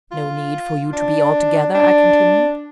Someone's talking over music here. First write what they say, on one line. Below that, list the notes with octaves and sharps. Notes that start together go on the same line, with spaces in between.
"No need for you to be, altogether!" I continued.
F4
D4
D4